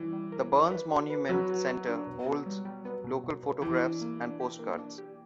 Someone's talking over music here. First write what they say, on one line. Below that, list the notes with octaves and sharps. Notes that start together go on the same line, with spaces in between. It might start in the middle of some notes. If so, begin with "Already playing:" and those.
The Burns Monument Centre holds local photographs and postcards.
Already playing: E3 G3 C#4 E4
G3
A#4
D4
B4
F#4
B4
F#3 B4
F#4
F#4
D4
B2
B3
G3
G3
B3
B2
B2
B2
E3 G4
D4
A#3
D4
G4
A#3
D4
G4